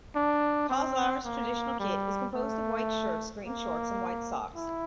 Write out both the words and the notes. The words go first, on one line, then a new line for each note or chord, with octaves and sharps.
Khazar's traditional kit is composed of white shirts, green shorts and white socks.
D4
C4
A#3
G3
A3
A#3
E4